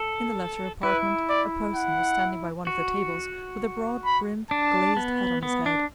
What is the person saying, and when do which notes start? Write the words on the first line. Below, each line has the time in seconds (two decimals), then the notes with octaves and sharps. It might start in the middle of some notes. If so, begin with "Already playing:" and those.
In the latter apartment a person was standing by one of the tables with a broad-brimmed glazed hat on his head.
Already playing: A4
0.83 E4 B4
1.30 D5
1.76 F#5
2.67 F#4
4.05 B5
4.50 D4 A5
4.97 B3
5.43 B3
5.66 D4